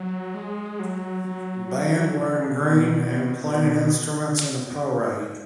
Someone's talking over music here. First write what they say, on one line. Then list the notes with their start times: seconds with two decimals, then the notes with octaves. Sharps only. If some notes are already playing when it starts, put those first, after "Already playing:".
A band wearing green and playing instruments in a parade.
Already playing: F#3
0.34 G#3
0.79 F#3
1.24 F#3
1.68 F#3
1.91 F#3
2.13 E3
2.19 C#3
2.24 D3
2.35 C#3
2.46 B2
2.57 B2